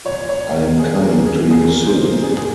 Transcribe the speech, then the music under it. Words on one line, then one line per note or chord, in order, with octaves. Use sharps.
I am coming to you soon.
C2 A#2 F3 C#5
C#5
A#4
C2 A#2 F3 G#4
G#4
A#4
G#4
C2 A#2 F3 G#4
A#4
C5
A#4
C2 A#2 F3 G#4
G#4